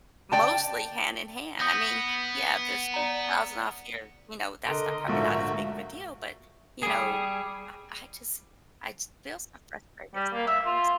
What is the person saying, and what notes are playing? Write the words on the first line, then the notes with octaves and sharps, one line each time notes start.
mostly hand in hand. I mean, yeah, there's a thousand off here, you know, that's not probably not as big of a deal, but you know, I I just I just feel so frustrated sometimes.
D5 G5 A5
B3 D#6 G6 A#6
D5 A#5
D3 A#4 D#5 C6 D7
A#1 G#2 D3 A3 A#3 F#4 E5
G3 G#4
G3
A#3
E5
F4